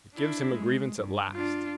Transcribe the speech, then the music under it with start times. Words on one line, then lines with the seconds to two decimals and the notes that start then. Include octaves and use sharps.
It gives him a grievance at last.
0.14 D4 E4
0.52 G#3
0.99 G2
1.33 D4 F4